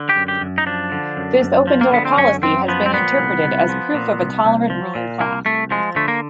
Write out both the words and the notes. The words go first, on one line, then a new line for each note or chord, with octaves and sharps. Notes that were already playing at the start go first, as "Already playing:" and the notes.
This open-door policy has been interpreted as proof of a tolerant ruling class.
Already playing: D3
G4
F#2
G4
F#2
D#4
F3 D4
D3
F#2
F#2
F3
A#3
D3 B3
C4
F#2 C#4
F#2 C4
F3 B3
C4
A#2 B3
C2
C2
F3
A#2
C2
C2
F3
A#2
C2 A#3
C2 A3
F3 G#3
D3 A3
A#3